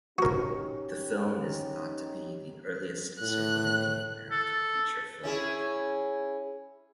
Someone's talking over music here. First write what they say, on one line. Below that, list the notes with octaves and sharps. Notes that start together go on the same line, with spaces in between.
The film is thought to be the earliest surviving American feature film.
C#4 D#4 F#4 G4 A#4
A2 F#6
A4
C#4 E4 G#4